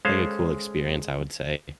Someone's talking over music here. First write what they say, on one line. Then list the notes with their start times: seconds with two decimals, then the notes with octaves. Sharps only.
like a cool experience, I would say.
0.05 G#3 C#4 G#4 A4 C5 F5